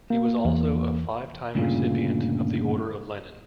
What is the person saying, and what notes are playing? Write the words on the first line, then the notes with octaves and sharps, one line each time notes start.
He was also a five-time recipient of the Order of Lenin.
A#3
E2
D2 G2 A#2 C#3